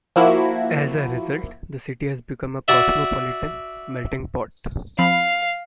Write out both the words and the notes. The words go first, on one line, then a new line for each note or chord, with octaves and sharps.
As a result, the city has become a cosmopolitan melting pot.
F3 A#3 E4 F#4
F#4 D5 E5
F3 C4 F5 B5